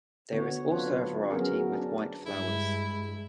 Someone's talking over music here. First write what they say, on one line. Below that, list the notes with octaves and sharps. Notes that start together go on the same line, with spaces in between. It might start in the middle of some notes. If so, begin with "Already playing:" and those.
There is also a variety with white flowers.
D3 B3 F#4 C#5
F#3 C4 D4 F4 B4 C#5
F#3 B3 C#4 G#4 A#4
D4
G2 G#3 E4